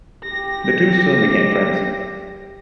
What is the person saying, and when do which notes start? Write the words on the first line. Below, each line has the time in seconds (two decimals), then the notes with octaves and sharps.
The two soon became friends.
0.24 G4 A#6